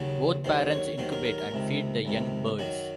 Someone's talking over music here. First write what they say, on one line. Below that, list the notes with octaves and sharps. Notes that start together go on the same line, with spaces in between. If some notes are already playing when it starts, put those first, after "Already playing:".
Both parents incubate and feed the young birds.
Already playing: D#2 C#3 F#3
D#2 D#3 F#3 C5
C#5
D#2 D#3 F#3 C5
A#4
A#4
A#4
C#2 C3 D#3
C#2 C3 D#3
F#2 D#3 F#3 F#4